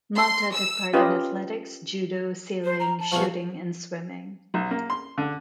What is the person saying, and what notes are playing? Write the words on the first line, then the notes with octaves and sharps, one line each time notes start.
Malta took part in athletics, judo, sailing, shooting and swimming.
C6
E6
C#4 F4 G4 B4 D#5
C5
A#5
A5
E2 F3 C#6
B1
A#3
C6
D3